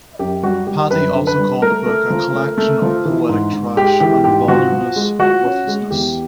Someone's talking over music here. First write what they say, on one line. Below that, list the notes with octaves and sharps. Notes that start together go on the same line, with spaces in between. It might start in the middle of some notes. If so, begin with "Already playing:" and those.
Pattee also called the book a "collection of poetic trash" and "voluminous worthlessness".
F#2 G4
G3 F#4
G3 G4
F#2 B4
D3
B4
G3
A3 A#4
A3
F3
A3
A3
F3
E3
G#2
G#2
G#3 G4
E3 G4
G#2 G4
F3 F#4
F3
G#3
F3 F#4
C#4
G#3
E2 G4